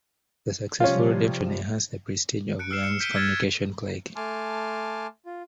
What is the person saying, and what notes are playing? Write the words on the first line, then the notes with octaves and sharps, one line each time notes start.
The successful redemption enhanced the prestige of Liang's Communications Clique.
C3 F3 G3 C#4 F4
F#6 C#7 D7
E6 F6 C7 E7
C#7
G6 B6 D7 D#7 G7
E6 F6 G#6 A6 C#7 E7
A3 G#5 A5 C6 D6 F6
F4